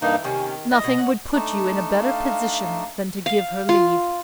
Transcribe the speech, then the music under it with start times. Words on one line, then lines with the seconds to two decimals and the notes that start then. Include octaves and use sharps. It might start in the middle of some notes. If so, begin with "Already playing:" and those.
"Nothing would put you in a better position than to give her leave."
0.02 G2 E3 A#3 D#4
0.24 C3 D#3 A#3 C#4
0.71 E4 D#5
0.84 B2
0.98 C#5 F#5
1.33 A3 D4 D#4
2.01 F5
3.26 F5
3.69 F4